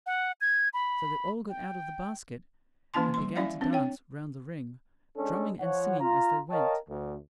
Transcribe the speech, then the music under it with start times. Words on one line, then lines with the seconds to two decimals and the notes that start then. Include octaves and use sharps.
So they all got out of the basket, and began to dance round the ring, drumming and singing as they went.
0.06 F#5
0.41 G#6
0.74 B5
1.49 G5
2.94 E3 A#3 C#4 E4 A5 C6
3.14 G3 C6
3.36 C#4 E4 D5 E5 F5
3.61 C4 D4
3.73 C#5 G5
5.17 G#3 C#4 D4 A4
5.60 F3 C#5 F#5
6.00 F4 A#5
6.51 A#4 C#5 D#5 F5 G5 A5
6.89 D2